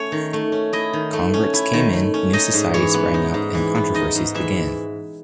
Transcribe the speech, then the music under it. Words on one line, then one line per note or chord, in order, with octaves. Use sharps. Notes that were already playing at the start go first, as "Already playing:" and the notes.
Converts came in, new societies sprang up, and controversies began.
Already playing: A3 C#4 C#5
D#3
A3
C#4
E4 D#5
D#3
A3
C#4
E4
D#3
A3
C#4
D#4 D#5
G#2
E3 C#5
B3
D#4
G#2
E3
B3
D#4 D#5
G#2
E3 E5